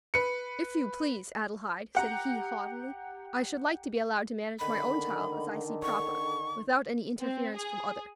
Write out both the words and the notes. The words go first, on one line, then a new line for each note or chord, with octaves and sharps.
"If you please, Adelaide," said he haughtily, "I should like to be allowed to manage my own child as I see proper, without any interference from others."
B4 C#7
G4 F#5 A#5
D3 D#3 B5
C#6
C4
G#4